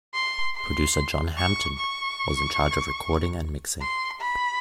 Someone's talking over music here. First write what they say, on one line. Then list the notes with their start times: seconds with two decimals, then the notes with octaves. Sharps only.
Producer, John Hampton, was in charge of the recording and mixing.
0.14 C6
0.56 C6
1.37 C#6
1.78 C#6
3.82 C6
4.22 B5